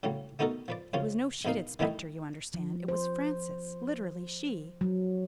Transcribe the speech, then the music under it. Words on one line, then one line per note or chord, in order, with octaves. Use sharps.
It was no sheeted specter, you understand; it was Frances, literally she.
A2 C#3 F#3 G3
A3 B3 D#4 F#4 A4 A#4
F3 B4 D5
F#2 C#3 F3 C#4 F4
A#1 B2 A#3 D#4 F5
D#3 E3 G3 A3 D#4 E4
F3
C5
F#3